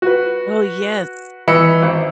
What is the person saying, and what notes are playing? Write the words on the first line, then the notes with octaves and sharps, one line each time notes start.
Oh, yes.
F#4 B4
E3 D#5 B5 E6 C#7
G#1